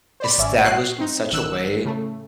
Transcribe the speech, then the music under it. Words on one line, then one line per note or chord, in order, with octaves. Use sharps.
established in such a way
C5 D5 B5
G#1 C#4 D5 E5
A#2 F#4 F#6 C7
C4 D#4
A1 D#3 E6 F#6
A2 C#3 A3